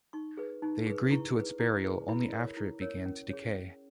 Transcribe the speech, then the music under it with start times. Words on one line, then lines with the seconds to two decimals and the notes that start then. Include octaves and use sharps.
They agreed to its burial only after it began to decay.
0.13 D#4 C#6
0.37 G#4 B4
0.62 D#4
0.86 G#4 B4
1.11 E4 C#6
1.35 G#4 B4
1.60 E4
1.84 G#4 B4
2.08 E4 B5
2.32 A#4 C#5
2.57 E4
2.81 A#4 C#5
3.06 C#4
3.30 G#4 C#5
3.54 C#4